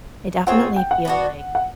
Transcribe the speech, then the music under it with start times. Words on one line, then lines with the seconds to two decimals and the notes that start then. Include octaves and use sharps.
I definitely feel like,
0.47 C4 F4 G#4 C#5 F#5
0.76 G5
0.91 F#5
1.05 B3 D4 F#4
1.55 F#5